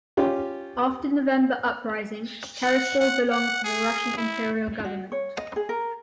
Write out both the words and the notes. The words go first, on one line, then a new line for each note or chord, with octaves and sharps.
After November Uprising, Terespol belonged to the Russian Imperial government.
C#4 F4 G4
F#5
F#5
F#5
G#4
E4
F#4
C#5
D#5
G#4
A#4